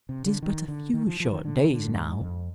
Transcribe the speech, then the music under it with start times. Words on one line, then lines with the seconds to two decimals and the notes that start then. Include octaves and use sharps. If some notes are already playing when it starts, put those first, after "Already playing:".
It is but a few short days now.
0.09 C3
0.26 D3
0.42 D#3
0.68 D3
0.94 D#3
1.07 F3
1.20 F3
1.32 D#3
1.45 D3
1.64 D#3
1.70 D3
1.88 G2
1.95 G#2
2.21 F2